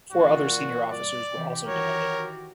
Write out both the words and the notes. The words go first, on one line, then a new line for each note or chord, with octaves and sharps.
Four other senior officers were also demoted.
A#2 E3 D4 F4 F#4
G2 D5
C3 E3 G4
D#3 E3 F#4 A#4 C#5